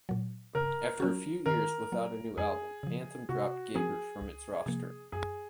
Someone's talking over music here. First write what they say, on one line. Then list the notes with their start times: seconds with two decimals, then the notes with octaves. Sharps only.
After a few years without a new album, Anthem dropped Gabor from its roster.
0.09 A#2 F#3
0.55 C#3 A#4
1.00 F#3 C#4 F#4
1.46 D#3 A#4
1.92 F#3 A#3
2.37 F2 G#4
2.83 C#3 F3
3.29 C3 F#4
3.75 F3 C4 F#4 G#4 A#4
4.21 C#2
4.66 C3 F3 A#3
5.12 F#2 G#4